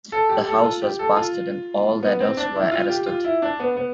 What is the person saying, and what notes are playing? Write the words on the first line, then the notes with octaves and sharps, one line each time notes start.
The house was busted and all adults were arrested.
A4
G4
A4
F4
G4
A4
F4
B3
C4
D4
E4
F4
G4
F4
E4
D4
B3
B3